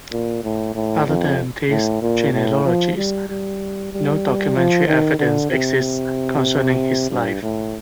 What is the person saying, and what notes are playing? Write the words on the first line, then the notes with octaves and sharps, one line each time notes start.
Other than these genealogies, no documentary evidence exists concerning his life.
A#2
A2
A2
F2
A2
A#2
A2
F3
G3
G3
G3
F3
D#3
D3
C3
G2
A2